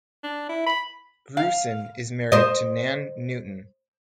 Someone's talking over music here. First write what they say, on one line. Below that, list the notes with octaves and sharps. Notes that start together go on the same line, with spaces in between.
Grusin is married to Nan Newton.
D4
E4
B5
F5
C5 D#5